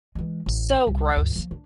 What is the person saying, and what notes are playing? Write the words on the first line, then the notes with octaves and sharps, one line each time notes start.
So gross.
E3 G#3
A1
C2
D2 G2
F3 A#3
D4